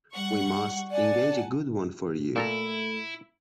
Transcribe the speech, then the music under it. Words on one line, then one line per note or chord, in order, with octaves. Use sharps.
We must engage a good one for you.
G3 F#5 C#6
D5 F#5 G#5 A5
A#2 A3 E4 A4 A#5